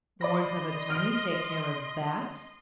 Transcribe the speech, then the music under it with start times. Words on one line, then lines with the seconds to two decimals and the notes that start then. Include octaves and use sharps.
Warrant of attorney--take care of that.
0.21 D5 D#5 B5 C6 A#6
0.90 F6 D7